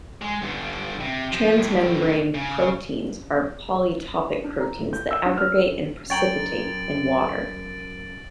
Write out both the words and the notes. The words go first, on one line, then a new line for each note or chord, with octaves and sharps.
Transmembrane proteins are polytopic proteins that aggregate and precipitate in water.
G#3
G2 D3
C3
F3
D2 A2
C#3
D4
A#5
A2
G6
E6
D4
F6
F#2 C#5 G5 A#5 A6 D7 F#7